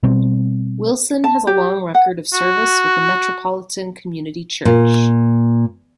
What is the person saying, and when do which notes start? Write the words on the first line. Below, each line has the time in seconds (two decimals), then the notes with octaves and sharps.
Wilson has a long record of service with the Metropolitan Community Church.
0.03 B2 G3 C4
1.24 A5
1.47 G4
1.95 F#5
2.34 F#4
4.65 A#2